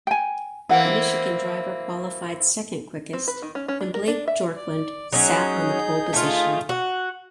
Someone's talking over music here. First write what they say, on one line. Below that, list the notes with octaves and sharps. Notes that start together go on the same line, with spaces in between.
The Michigan driver qualified second quickest and Blake Bjorklund sat on the pole position.
G5 G#5
E3 A#3 C4 E4 F#5
C4
B4
D#3
C#4
C#4
D4
A#4
D4
E5
D5
F#3 C#4 D#4 G#4 G6
A3 F4
F#4